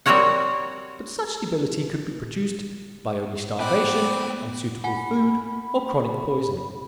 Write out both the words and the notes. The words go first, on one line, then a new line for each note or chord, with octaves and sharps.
But such debility could be produced by only starvation, unsuitable food, or chronic poisoning.
G3 C4 F#4 A#4 C#5 F#5
B3 C5 D5 F#5 G5 B5
F#5 G#5 B5